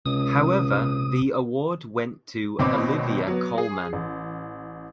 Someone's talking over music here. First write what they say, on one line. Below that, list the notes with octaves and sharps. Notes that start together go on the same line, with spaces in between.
However the award went to Olivia Colman.
C#2 C3 D#6
G#1 B2 C4 C#5 B5 D6
F#3 B3
G#4
A1